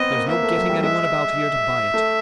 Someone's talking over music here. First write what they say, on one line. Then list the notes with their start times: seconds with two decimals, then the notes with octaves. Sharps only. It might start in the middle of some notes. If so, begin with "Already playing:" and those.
There's no getting any one about here to buy it.
Already playing: B3 C4 D#5
0.11 A#3
0.28 A#3 E5
0.43 A3
0.56 F#3
0.69 G3
0.84 G#3 E5
1.94 A3